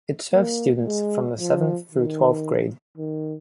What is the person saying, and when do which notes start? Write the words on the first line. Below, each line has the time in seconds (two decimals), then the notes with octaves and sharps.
It serves students from the seventh- through twelfth-grade.
0.33 A#3
0.86 G#3
1.40 F3
1.92 D#3
2.98 D#3